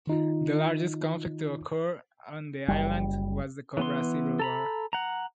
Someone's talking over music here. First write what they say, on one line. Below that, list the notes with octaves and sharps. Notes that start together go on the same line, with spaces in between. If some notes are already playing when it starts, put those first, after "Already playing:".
The largest conflict to occur on the island was the Cobra Civil War.
D#3 D#4 F4
F#1 G3
E3 B3 C6
A4 A#5 B5
F#5 A#5